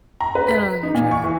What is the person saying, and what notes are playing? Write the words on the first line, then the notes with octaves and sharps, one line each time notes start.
I don't like country at all.
A#5
B4
B6
D#4
A#2
C#6
E3